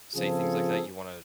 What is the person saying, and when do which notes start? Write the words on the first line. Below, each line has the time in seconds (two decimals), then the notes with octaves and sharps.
say things like that, you want
0.15 C#3 F3 C4 F4 G#4 A4